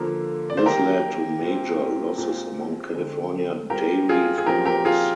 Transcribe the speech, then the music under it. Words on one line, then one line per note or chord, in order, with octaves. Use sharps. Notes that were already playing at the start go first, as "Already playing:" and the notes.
This led to major losses among California dairy farmers.
Already playing: D3 F3 A#3
D5
C5
D#3 A#3 G4 A#4
A#2 G3 C4
A#2 G#3 C4
D3 G#3 C4
A#2 G3 C4 G4 A#4
F4 G#4
G#4
A#2 F3 C4 G4 A#4
G4 A#4
F4 G#4